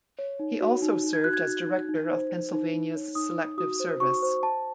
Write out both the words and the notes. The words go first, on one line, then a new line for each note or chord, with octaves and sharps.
He also served as director of Pennsylvania’s Selective Service.
C#5
D#4
F#4
D#4
D#4
G#6
F#4 F#6
G#6
F#4
D#4
D#4
C5
C5
D#4
D#4
C#5
D#4 D#6
D#4
F#4 D#6
C5
F#4 C#6
C5
C5 A5